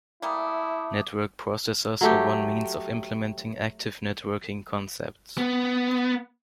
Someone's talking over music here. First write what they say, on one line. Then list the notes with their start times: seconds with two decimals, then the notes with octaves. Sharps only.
Network processors are one means of implementing active networking concepts.
0.22 G3 A3 A#3 E4 D6 D#6
2.01 F#3 A3 G4
5.38 B3